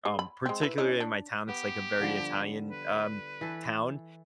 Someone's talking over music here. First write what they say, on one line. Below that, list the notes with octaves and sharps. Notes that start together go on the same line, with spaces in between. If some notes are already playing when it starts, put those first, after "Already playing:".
um, particularly in my town, it's like a very Italian, um, town,
G#4
B5
G#3 C4
E4 B4
C#4 D#4 E4
D4
B3 G4
D3 F3 G3
B4
E3 A4